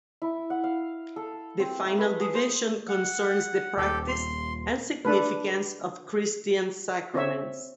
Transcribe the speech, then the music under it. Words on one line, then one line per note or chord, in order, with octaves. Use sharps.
The final division concerns the practice and significance of Christian sacraments.
E4
F#5
F5
A4
C4
A3
B4
G#4
C5
F#5
D#1 G4 A4
C6
D4 A4 B4
C4 C#5 E5